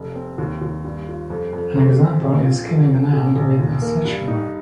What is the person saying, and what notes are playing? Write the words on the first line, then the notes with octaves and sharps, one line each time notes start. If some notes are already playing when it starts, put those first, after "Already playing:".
An example is killing an ant with a sledgehammer.
Already playing: F1
C4
D#2
D#2
G2
F4
F2
F2
F2
C4
A#1
F4
F1
F1
A#1
A#1
D#2
A#3
G2
D#4